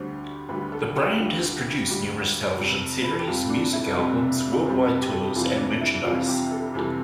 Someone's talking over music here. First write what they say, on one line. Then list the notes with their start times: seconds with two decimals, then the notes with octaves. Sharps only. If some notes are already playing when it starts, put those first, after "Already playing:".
The brand has produced numerous television series, music albums, worldwide tours and merchandise.
Already playing: D2 D3 G3 C5
0.49 D2 D3 G3 B4
0.72 A4
0.95 G4
1.18 D2 D3 G3 F4
1.88 D2 D3 G3
2.57 F2 C3 G3
3.04 B4
3.12 A4
3.19 G4
3.27 F2 C3 G3 F4
3.49 D4
3.73 E4
3.86 A4
3.96 F2 C3 G3 B4
4.65 F2 C3 G3 C5
4.89 B4
5.01 G4
5.12 A4
5.35 F2 C3 E3 G3 F4
5.58 D4
5.81 E4
6.05 F2 C3 E3 G3 F4
6.28 G4
6.51 A4
6.74 F2 C3 E3 G3 A4